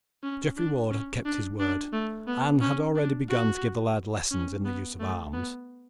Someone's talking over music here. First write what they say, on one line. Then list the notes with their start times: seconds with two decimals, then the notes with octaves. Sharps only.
Geoffrey Ward had kept his word, and had already begun to give the lad lessons in the use of arms.
0.23 C#4
0.57 D4
0.91 C#4
1.26 D4
1.60 D4
1.93 A3
2.27 B3
2.61 C#4
2.96 D4
3.29 F#4
4.31 C#4
4.66 B3
5.00 A3
5.34 B3